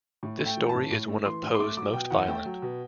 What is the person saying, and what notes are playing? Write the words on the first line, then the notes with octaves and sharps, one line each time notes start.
This story is one of Poe's most violent.
A2
A3
G5
E3
A5
A2
A2
A3
E3 C6
A2
C6
A3 D6
F#3 D6
B2 G5
E2 F#5
A3 G5
F#3
B2